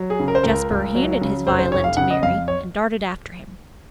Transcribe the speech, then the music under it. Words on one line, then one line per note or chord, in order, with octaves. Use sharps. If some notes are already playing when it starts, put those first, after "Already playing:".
Jasper handed his violin to Mary, and darted after him.
Already playing: F#3
G#4
C#3
A#4
C5
C#2 A#4
C#2
F#3
C#3
F1 C5
C5
F1 C#5
F5
C#3 F#5
D#5
F2 F5
C#5